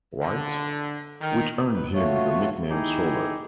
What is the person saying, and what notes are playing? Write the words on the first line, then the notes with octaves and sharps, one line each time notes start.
White"" which earned him the nickname "Stroller".
D3
D#3
B4
A3 F4 F#4 C#5
D#4 E4 G4 G#4